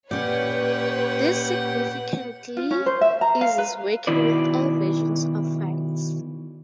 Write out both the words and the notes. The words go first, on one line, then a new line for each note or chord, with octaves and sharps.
This significantly eases working with old versions of files.
A#2 C#4 G4 B4 C#5 D5 F#5 G5
F4
C#4
C5
E5
A#5
F5
B4
B2 D#3 E4 B4 D5